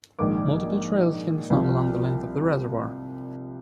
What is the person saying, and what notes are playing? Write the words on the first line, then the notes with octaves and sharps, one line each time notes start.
Multiple trails can be found along the length of the reservoir.
A#1 G#2 D#3 D6
C2 C3 F3